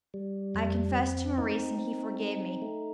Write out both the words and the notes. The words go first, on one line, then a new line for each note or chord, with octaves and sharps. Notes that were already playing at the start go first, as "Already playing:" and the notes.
I confessed to Maurice, and he forgave me.
G3
F2
C4
D#4
C4
D#4
A3